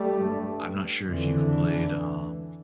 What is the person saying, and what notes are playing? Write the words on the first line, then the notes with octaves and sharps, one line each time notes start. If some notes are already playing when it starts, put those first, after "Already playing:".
I'm not sure if you've played, um,
Already playing: G3 A3
G2
F2 D3 E3
C#3